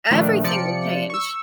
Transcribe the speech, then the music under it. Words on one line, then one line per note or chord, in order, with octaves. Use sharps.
Everything would change.
A#2 D#3 F3 A3 D4
C3 F3 D5 C#7
C#6 E6